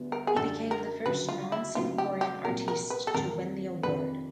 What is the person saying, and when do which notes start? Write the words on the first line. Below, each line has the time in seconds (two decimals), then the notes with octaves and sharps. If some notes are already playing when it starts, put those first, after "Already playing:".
He became the first non-Singaporean artiste to win the award.
Already playing: D2 D3 G3 B3
0.12 A#4
0.27 G#4
0.36 F#2 D3 G3 A4
0.71 A#4
1.05 D2 C#3 F#3 B4
1.29 F4
1.52 E4
1.75 C#3 F#3 A3 C4 D#4 F4
1.98 G4
2.21 G4
2.44 C2 A#2 F#3 A#4
2.68 A#4
2.90 B4
3.07 A4
3.14 F2 C3 D#3 G#3 A#4
3.83 F2 C3 D#3 B4